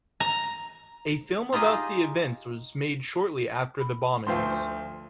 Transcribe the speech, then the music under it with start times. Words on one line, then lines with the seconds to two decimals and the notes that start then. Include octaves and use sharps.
A film about the events was made shortly after the bombings.
0.20 A#5
1.53 D#4 F4 G4 G#4 D#5
3.80 B5
4.27 D2 F3 A3 B4 F5 C6